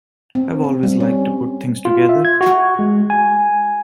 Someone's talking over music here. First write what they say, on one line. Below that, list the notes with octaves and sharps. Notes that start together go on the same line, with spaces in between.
I've always liked to put things together.
C4
C4
G3
C#4
F4
E5
G#6
F#4
G#3
G#5